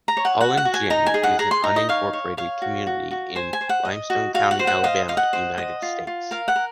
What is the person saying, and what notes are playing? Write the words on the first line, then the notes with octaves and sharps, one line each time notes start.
Holland Gin is an unincorporated community in Limestone County, Alabama, United States.
A#5
C#5
F#5
F#4 F#5
F#5
F#4
G#5
D#4 A#5
G#5
G#4
F#5
G#4 A#5
C6
D#4 A#5
D#5
C#5 F5
C#5
C#5 F5
F#4
F#4
F#4
C5 G#5
G#5
C5
F#5
D#5
F#4
F#4 F5
F#5
C5
F#5
D#5 F5
D#5 F5
F#5
C5
D#5
F4
F4
A#4 F5
F#5
A#4